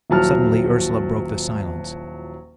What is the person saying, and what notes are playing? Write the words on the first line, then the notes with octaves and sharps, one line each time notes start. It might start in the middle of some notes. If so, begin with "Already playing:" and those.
Suddenly Ursela broke the silence.
D#1 F3 F#3 E4 A5 F6